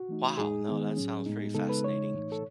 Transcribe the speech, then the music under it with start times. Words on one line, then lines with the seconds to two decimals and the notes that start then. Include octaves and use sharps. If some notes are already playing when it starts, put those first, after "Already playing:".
Wow. No, that sounds pretty fascinating.
Already playing: F#4
0.09 E3 A3 D#4
0.38 A2 G#3 D#4 G#4
0.67 D#3 G#3 B3 D#4
0.97 A2 F#3 C#4
1.26 A2 G#3 B3 D#4
1.54 C#3 G#3 B3 D#4 A4
1.69 B4
1.84 C#3 G#3 D#4 C#5
2.13 A2 E3 A3 D#4
2.32 A4